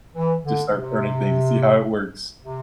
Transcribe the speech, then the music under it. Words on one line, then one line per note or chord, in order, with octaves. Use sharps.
Just start turning things to see how it works.
E3
D3
C3
C3